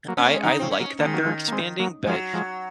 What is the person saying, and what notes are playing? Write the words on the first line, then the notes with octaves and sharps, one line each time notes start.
I I like that they're expanding, but
F#3 A#3
C#4
A#3
G#3
D#3 F#3 D#4
C#3 F3 C4
C#4
F#3 A#3
D#3 A#3
G#3
F#3 A#3
F3 G#3
A#3
G#3 C4
F#3 A#3
F3 F#3 G#3
F3 G#3